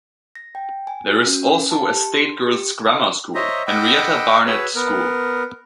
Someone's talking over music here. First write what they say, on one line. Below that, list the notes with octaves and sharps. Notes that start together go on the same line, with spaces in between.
There is also a state girls' grammar school, Henrietta Barnett School.
A#6
G5
G#5
F#4
C#4
A#4
A5
G4
C6
G4
C5 C#5 D#5 E5 A#5
D#5 F#5 G5 B5 D6 E6
F#4 G#4 B4 C#5 E6
B3 A#4